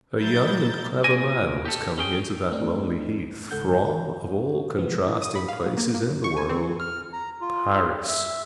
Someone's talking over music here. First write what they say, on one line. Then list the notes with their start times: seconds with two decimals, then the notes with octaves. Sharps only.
A young and clever man was coming into that lonely heath from, of all contrasting places in the world, Paris.
0.19 F#3 E4 A#5 G6 A6
1.04 A#2 D5 G#5 A#6 D#7
1.65 G4 A4
1.98 C#4 G#4 G5
2.52 A3 C4 D4 D#4
3.51 G#1 C#2 G#2 A4 F#5 G6
3.85 F#4
4.77 C3 E3 F3 G#3 B3
5.08 E3
5.22 D#6
5.36 B5
5.49 F5
5.66 F#3
5.77 A#3
5.94 A#3
6.09 F#2
6.24 C#6
6.37 G#5
6.49 C4
6.80 F6
7.13 A#5
7.41 F4
8.08 E5